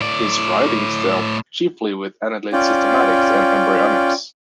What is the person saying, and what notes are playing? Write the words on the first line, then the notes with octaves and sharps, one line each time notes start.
His writings dealt chiefly with annelid systematics and embryonics.
A2 D5
C#4 F4 D5 G5